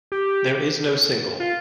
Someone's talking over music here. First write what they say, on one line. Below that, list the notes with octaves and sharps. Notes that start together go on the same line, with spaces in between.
There is no single.
G4
F4